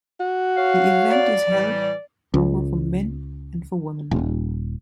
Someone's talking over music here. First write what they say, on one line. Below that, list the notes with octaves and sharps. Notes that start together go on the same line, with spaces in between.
The event is held over for men and for women.
F#4
C#5 F5
D5
A2 E3 G3
C#2
D#1